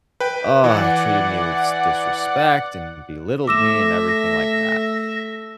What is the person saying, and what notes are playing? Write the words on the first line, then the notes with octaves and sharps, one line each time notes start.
Uh, treated me with s disrespect and belittled me and everything like that.
B4 G5
E3 D5 F#5
A3 E5 D6 E6 A#6 E7